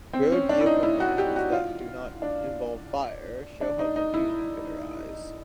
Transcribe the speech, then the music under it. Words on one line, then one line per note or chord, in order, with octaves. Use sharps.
Road-vehicle crashes that do not involve fire show how confusion could arise.
C4
C#4
D4
E4
D#4
E4
F#4
G4
F#4
F4
D4
D4
D#4
D#4
E4